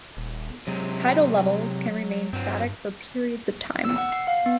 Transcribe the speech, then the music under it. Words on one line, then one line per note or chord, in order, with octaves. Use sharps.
Tidal levels can remain static for periods of time.
D#1
C3 F#3 G#3
G2 F#3 C4
E6
F#5
C7
F5
B3